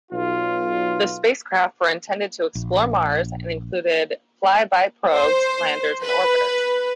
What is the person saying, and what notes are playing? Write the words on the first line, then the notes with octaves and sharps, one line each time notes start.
The spacecraft were intended to explore Mars, and included flyby probes, landers and orbiters.
B1 F4
A#1
C5
B4